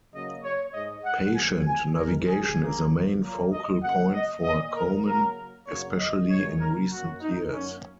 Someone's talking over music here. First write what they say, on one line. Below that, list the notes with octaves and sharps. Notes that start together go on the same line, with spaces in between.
Patient navigation is a main focal point for Komen, especially in recent years.
C#3 F#3 A#3 D#5
C#5
G#2 G#3 D#5
F#5
G#2 F#3 A#3 G#5
G#5
G#2 D#3 G#3 A#4
G#4
C#3 A#3
A#2 F#3 A#3
D#5
C#3 F#3 A#3 F#5
D#5
A#2 A#3 D#5
A#4
C#3 F#3 A#3 A#4
F#2 C#3 F#3 A#3 C#5
D#5
A#2 G#3 C#5
A#4
F#2 F#3 A#3 F#4
D#4
F#2 F#3 A#3 C#4